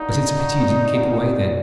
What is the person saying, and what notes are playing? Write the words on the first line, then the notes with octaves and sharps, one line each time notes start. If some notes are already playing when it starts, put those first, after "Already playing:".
But it's a pity you didn't keep away, then.
Already playing: A#3 D4 D#4 F#4
A#3 D4 F#4
B3 F4 G#4 D5